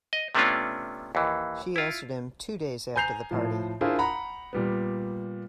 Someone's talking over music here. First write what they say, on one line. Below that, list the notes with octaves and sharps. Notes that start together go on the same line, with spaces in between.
She answered him two days after the party.
D#5
C3 A3 B3 C#4 D4 F4
D#2 E3
E4 F4
G#5 A#5 G6 C7 F7
A2 F3
D4 E4 F4 G#4 A#4 C5
F#5 A#5 B5
A#2 G3 B3